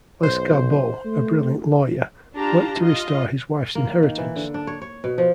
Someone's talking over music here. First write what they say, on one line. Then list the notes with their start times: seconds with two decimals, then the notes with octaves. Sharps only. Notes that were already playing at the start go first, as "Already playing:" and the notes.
Lescarbot, a brilliant lawyer, worked to restore his wife's inheritance.
0.23 B1 C5
1.05 A3
2.37 D4 F4 G4 A5 A#5
2.79 F4 D#5 F5
3.75 A#3
4.03 D#3
4.18 E3
4.36 D3
4.54 D4
4.67 C#5
4.82 C#5
5.04 B2
5.18 F3